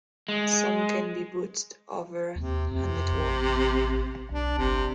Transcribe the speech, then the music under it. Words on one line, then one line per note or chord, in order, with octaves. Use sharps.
Some can be booted over a network.
G#3
D#2 C3
F2 C3
A1
B1 D4
G1 C3